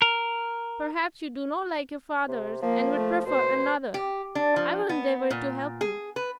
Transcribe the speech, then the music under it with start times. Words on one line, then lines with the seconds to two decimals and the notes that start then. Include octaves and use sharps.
Perhaps you do not like your father's, and would prefer another; I will endeavor to help you.
0.02 A#4
2.28 C3
2.62 F3 A#3
2.97 A3
3.26 B2 C5
3.94 G4
4.35 D4
4.56 F3
4.89 B3
5.30 A#2
5.81 G#4
6.16 B4